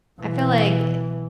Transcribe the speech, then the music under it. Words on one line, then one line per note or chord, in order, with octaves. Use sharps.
I feel, like, eh
B2 E3